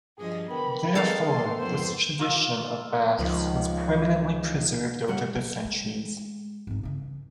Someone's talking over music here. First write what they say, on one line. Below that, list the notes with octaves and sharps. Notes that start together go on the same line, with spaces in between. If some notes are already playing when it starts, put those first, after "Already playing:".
Therefore, this tradition of baths was permanently preserved over the centuries.
G2 F3 G#4 D#5
D3 E3 B3 A#4 B4 G5 B5
G#3 A#3 C4 A4 F5
A#3 C6
F2 G#2 B3 C5 C6
A#3 F4 E6
C#2 D#3 F3
C#3 G3 F#5
F#3
G#3
G#1 D#4
C#3 E3